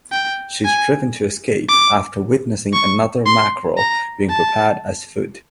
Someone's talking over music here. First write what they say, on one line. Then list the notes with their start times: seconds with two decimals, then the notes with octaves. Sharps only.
She is driven to escape after witnessing another mackerel being prepared as food.
0.12 G5
0.65 G#5
1.69 D6
2.73 C#6
3.26 C6
3.78 A#5
4.29 A5